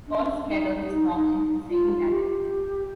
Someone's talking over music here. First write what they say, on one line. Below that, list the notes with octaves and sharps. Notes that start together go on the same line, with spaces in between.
Paul Scherrer was born in St.Gallen.
D4
C#4
D4
D#4
F4
G4